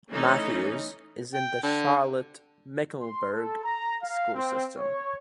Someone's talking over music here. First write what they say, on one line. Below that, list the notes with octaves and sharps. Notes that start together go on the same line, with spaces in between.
Matthews is in the Charlotte-Mecklenburg School system.
E3 A3 C#4 D#4
G5
D3
C6
A4
A#5
F5
C4
C#5